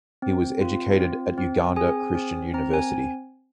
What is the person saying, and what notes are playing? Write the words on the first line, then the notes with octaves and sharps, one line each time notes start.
He was educated at Uganda Christian University.
C4
F4
C4
C4
G#4 G#5
C4
C4 A#5
G#5